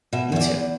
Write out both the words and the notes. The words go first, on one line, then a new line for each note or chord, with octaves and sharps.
You too.
B2 E5
E2 E5
D5
E2